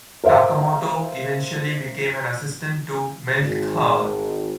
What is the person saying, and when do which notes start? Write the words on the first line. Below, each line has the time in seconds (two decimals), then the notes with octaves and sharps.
Takamoto eventually became an assistant to Milt Kahl.
0.24 A#4 C5 E5 F5
3.40 G#1